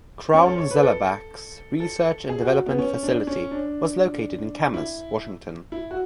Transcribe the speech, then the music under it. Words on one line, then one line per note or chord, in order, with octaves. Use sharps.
Crown Zellerbach's research and development facility was located in Camas, Washington.
C#4
A4
C#5
B4
A4
A4
G#4
F#4
B3
C#4
D4
C#4
D4
E4
E4
F#4